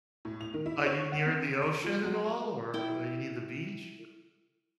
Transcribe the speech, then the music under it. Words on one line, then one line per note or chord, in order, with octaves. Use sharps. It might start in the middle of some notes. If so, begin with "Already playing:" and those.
Are you near the ocean at all or you near the beach?
A2
F7
D#3
E4
C#5
F#5
C4
C6
F3
F#3
E4 G5